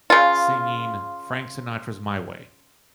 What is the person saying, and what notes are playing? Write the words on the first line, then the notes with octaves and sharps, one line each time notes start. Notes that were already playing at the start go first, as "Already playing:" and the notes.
singing Frank Sinatra's "My Way."
C#3 F4